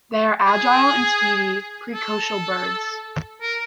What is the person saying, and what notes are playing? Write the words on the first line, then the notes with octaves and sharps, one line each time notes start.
They are agile and speedy precocial birds.
G#4
A4
A#4